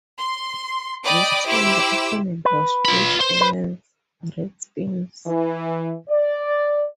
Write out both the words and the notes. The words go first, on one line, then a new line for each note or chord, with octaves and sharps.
This time, the opponent was George Allen's Redskins.
C6
D5 D#5 G5 B5 D6 D#6
E4 G4 C5 E5 D6 E6
B4
F4 B5
C5
B4
E3
D5